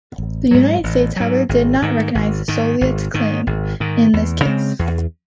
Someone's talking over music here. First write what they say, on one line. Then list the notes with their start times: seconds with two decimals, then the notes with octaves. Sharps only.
The United States however did not recognize the Soviet claim in this case.
0.18 A1
0.51 G#2 F#3
0.84 A1
1.16 G#2 F#3
1.49 G#1
1.82 G#2 D#3
2.15 G#1
2.48 G#2 D#3
2.81 G#1
3.14 G#2 D#3
3.47 G#1
3.80 G#2 D#3
4.13 E2
4.45 C#3 G#3 C4
4.79 E2